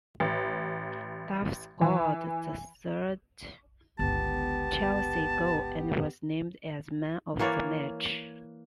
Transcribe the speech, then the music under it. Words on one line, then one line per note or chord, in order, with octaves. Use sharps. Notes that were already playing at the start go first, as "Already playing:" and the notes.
Duff scored the third Chelsea goal and was named as Man of the match.
A1
E3
G1 C#2 B3 G4 A5
E3 A#3 C#5 D5